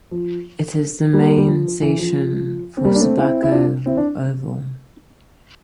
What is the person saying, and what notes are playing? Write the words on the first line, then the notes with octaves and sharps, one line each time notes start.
It is the main station for Subiaco Oval.
F3
G3 A#3
G3
F3
E3
F3
C4
G3 A#3
D4
A3 C4
C4 E4
E4
D4 F4
C4 E4
D4